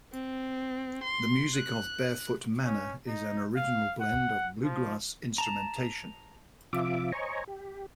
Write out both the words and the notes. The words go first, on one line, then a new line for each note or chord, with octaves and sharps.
The music of Barefoot Manner is an original blend of bluegrass instrumentation.
C4
C6
F#6
C#4
D#4
F5
F#5
F3
A5 A#5
C3 F3 F4 E5 D6
C5 C#5 D#5 G#5 A#5 C#6
G4